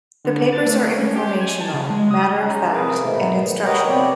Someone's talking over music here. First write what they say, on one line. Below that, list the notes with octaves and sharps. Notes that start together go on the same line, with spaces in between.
The papers are informational, matter-of-fact, and instructional.
D3
A6
A3
C#4
G4
G#5
A5
C#3
G#3
D#6
C#4 D#4
C3 G#4 A#4 B4 F5
G#2 B2 D#3 A3 B3
G4 A#4 B4 C#5 D#5 F#5
C3 B3 C4 C#5 D5